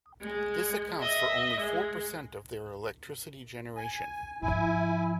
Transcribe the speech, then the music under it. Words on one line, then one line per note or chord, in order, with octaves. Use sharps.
This accounts for only four percent of their electricity generation.
G#3
D#5 E5
G#3
G#5
G#2 F3 E4 G#5